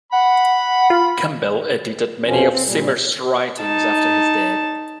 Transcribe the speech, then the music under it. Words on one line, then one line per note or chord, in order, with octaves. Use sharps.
Campbell edited many of Zimmer's writings after his death.
F#5 B5
F4
F2 B2 F3 C#4
C4
A#2 G3
D#4 A5